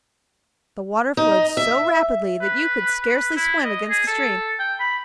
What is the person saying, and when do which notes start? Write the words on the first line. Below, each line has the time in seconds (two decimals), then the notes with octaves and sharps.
The water flowed so rapidly that you could scarcely swim against the stream.
1.17 D#4
1.57 E5
2.41 B4
3.08 B4
3.36 E4
3.64 D#5
3.90 G#4
4.07 A4
4.59 G5
4.80 B5